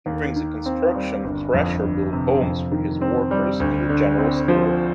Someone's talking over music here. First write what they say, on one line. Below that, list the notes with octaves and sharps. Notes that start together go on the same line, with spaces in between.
During the construction Thrasher built homes for his workers and a general store.
D#2
D#3
C4
G3
G1
F2
G1
C3
F2
D#3
C4
G3
D2
D3
C4
F3